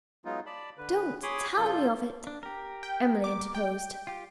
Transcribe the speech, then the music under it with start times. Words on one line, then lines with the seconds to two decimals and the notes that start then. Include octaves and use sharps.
"Don't tell me of it!" Emily interposed.
0.25 F#3 G#3 B3 D#4 F4
0.46 D5 A5 B5
0.78 D3 B4
1.23 G#4 C#5 B5 C6 D6 D#6
1.57 G2 C#3 F4 A4 G6
2.27 D4
2.43 G4 A#4
2.83 G5
3.24 D6
3.55 G5
4.07 F4 G4